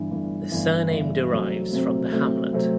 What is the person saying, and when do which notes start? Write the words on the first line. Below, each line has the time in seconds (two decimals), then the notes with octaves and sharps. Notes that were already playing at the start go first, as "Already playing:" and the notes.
The surname derives from the hamlet.
Already playing: G1 G2 E3
0.11 G1 G2 E3
0.51 G1 G2 E3
0.91 G1 G2 E3
1.32 C3 F#3 A3 C4
1.72 C3 F#3 A3 C4
2.12 C3 F#3 A3 C4
2.53 C3 F#3 A3 C4